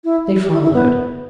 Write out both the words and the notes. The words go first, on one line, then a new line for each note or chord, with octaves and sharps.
They followed.
E4
G4
E4
E4
B3